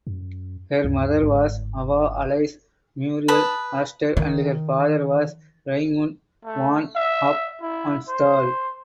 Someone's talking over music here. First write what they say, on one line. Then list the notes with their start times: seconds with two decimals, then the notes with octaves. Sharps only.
Her mother was Ava Alice Muriel Astor and her father was Raimund von Hofmannsthal.
0.07 F#2
0.84 D2 G2
1.23 G1 G#2
3.28 B4 A5 D#6
4.17 D#3
6.45 A3
6.96 E5
7.61 E4
8.08 C5